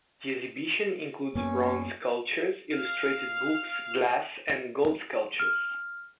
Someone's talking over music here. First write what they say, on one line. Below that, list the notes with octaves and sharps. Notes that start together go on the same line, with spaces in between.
The exhibition includes bronze sculptures, illustrated books, glass and gold sculptures.
F#2 A#3 B3 C#4
F5 F6
F6